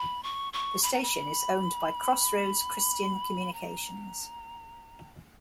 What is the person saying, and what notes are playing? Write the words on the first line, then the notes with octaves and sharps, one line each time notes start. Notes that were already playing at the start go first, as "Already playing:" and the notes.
The station is owned by Crossroads Christian Communications.
Already playing: B5
C#6
C#6
B5
A#5
B5
A#5